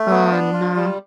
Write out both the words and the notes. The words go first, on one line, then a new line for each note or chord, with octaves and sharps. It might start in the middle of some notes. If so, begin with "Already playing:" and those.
Oh, no.
Already playing: A3
B3
D4
F4
G3